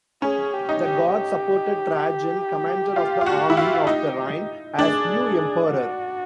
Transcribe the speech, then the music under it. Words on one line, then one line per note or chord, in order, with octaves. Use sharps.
The Guard supported Trajan, commander of the Army of the Rhine, as new emperor.
C#4 G#4
G4
D#4
G4
G4
F4
F4
F#4
E4
F4
D#4
D4 G#4
F#4